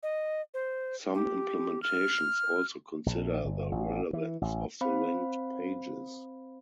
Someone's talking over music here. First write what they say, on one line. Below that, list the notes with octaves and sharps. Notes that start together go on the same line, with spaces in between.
Some implementations also consider the relevance of the linked pages.
D#5
C5
G4
F6
A#1
G1
A1
E3
A1
C4 C5 F5 B5